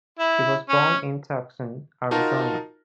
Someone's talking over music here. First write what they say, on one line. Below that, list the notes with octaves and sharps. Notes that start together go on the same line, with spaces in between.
She was born in Tucson, Arizona.
E4
C#4
D#4 F4 F#4 A#4 A5 A#5